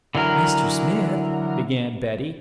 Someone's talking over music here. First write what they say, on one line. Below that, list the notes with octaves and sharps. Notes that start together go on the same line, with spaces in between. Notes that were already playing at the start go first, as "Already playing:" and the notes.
"Mr. Smith," began Betty.
D3 E3 F#3 A#4